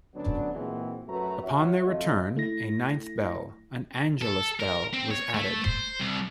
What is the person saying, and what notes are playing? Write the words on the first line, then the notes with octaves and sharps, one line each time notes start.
Upon their return, a ninth bell, an Angelus bell, was added.
D2 F#3 B3 C#4 D4
A#2 E3 G#3 C4 F#4 G#4
F#2 F#3 A3 F#4 B4 A#5
F#4 C#5 E5
F2 A3 F4 D#5
A3 E4 A#6
A4
A#4
C4
C#5
A3
C5
C2